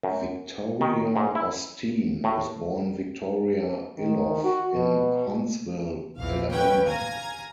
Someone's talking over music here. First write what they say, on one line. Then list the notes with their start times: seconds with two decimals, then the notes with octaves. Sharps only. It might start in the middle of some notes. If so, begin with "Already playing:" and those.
Victoria Osteen was born Victoria Iloff in Huntsville, Alabama.
0.03 F#2
0.81 D#3
1.16 G#2
1.35 E4
2.24 A2
3.98 D#3
4.44 F#4
4.76 B2
6.19 A#1 E2 E3 F5
6.50 E2 C#4 B4 F#5 G5 G#6
6.87 F5 G#5 A#5 G#6 A#6